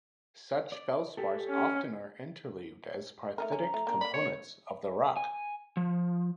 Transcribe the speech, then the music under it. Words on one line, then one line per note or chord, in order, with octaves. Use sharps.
Such feldspars often are interleaved as perthitic components of the rock.
D5
G4 A4
C#4
A3 D#4 A#4 A#5
C#4
A3
A#3 D4
A#3 D5 B5
C#5
G#5
F3